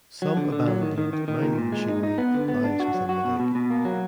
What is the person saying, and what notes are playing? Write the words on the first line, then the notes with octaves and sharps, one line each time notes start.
Some abandoned mining machinery lies within the lake.
F#3
D3
D3
F#3
D#3
D#3
D#3
D#3
A#2
A#2
G#3
D#4
D#4
B3
D3
B3
D4
F#4
F#3
F#4
B2
B2
B2
A#3
F#3